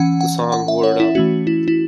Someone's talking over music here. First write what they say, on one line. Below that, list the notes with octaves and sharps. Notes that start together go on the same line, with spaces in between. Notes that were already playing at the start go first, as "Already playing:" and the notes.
The song Word Up!
Already playing: E3 C#4 F#5
F#5
F#5
E5
C#5
E4
E3 A3 C#4 F#4
E4
E4